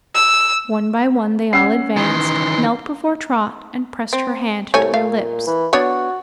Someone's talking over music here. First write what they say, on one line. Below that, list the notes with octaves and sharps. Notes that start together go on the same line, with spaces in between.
One by one they all advanced, knelt before Trot and pressed her hand to their lips.
E6
C#4 F#5 E6 C7
D#3 E3 C6
C4
C2 A3 C#5 G#5
A#2 F5
E3
B3 D4 F#4 C#5